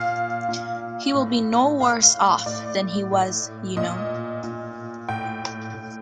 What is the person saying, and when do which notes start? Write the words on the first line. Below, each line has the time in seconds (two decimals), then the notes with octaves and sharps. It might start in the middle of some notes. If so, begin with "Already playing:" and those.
He will be no worse off than he was, you know.
Already playing: A#2 F5
0.49 A#2
1.14 A2
1.80 A2 F5
2.46 A2 D5
3.12 A2
3.77 A#2 D#5
4.43 A#2
5.09 A2 G5
5.74 A2